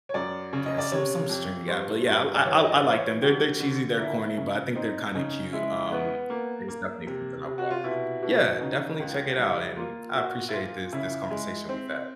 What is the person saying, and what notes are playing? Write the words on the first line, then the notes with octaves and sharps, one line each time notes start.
Yeah, some some streaming app, but yeah, I l I I I like them. They're they're cheesy, they're corny, but I think they're kinda cute, um, it's definitely something I've watched. Yeah, definitely check it out, and I appreciate this this conversation we've had.
C#5
F#2 D5
C#3
D#5
D5
C3 C#5
F2
G2 C5
G2
D5
E3 C#5
D#5
D5
E3
C5
C#5
D2 G4
D3
A#3 E4
C#3
C4 D#4
C#3 D#4
G#3 E4
B3
A#3
A#3
C3
C3
F#4
F4
B2 E4
B2
C#3 D#4
C#2
G3 E4
A#3 F4
A#2 F#4
E4
A#2 F4
C#3 E4
G#3
C4